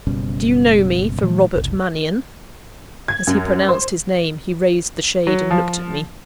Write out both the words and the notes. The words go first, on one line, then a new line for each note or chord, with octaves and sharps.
"Do you know me for Robert Mannion?" As he pronounced his name, he raised the shade and looked at me.
F#1 B2 G3 C#4
A#2 E3 G3 A3
F#1 C2
G#6
F#2
C5
F#3
F3